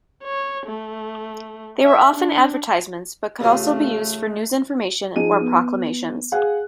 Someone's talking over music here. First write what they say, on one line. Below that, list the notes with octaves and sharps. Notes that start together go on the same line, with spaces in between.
They were often advertisements, but could also be used for news information or proclamations.
C#5
A3
E5
D4
A1 C#3 A3 F4
F3 D#4 G#4 D#7
B3
G#4 F5 F#5 G#5 F#6